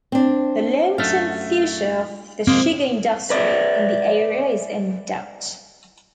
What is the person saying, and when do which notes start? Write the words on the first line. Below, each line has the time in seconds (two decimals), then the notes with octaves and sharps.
The long-term future of the sugar industry in the area is in doubt.
0.12 C4 D4
0.98 F#2 A3 F5
2.47 F2 G#3 A#3 C4
3.30 B4 D5 E5